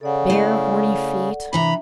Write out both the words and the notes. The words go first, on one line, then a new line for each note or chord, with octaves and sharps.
Bare, horny feet.
C#3 A4 D5 F#5
A3 E4 F5
C3 E3 D4 E5 A#5 B5